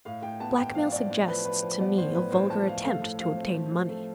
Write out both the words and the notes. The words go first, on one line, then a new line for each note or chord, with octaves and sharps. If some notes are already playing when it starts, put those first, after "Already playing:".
"Blackmail suggests to me a vulgar attempt to obtain money."
A2 F5
A2 G5
B3 A5
A2 G5
F3 F5
A2 D5
A2
F3 B4
F3 B4
F3
B3 D5
A2 C5
A2 B4
A2 C5
F3 A5
F3 F5
A3 F5
A2
F3 F5
C4
F3
F3
A3